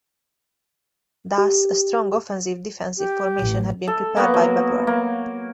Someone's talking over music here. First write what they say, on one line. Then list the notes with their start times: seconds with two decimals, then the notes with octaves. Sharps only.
Thus, a strong offensive-defensive formation had been prepared by Babur.
1.38 G4
2.98 G4
3.39 A1
3.88 A4
4.17 A#3 B3 F#4
4.34 F#3
4.87 A#3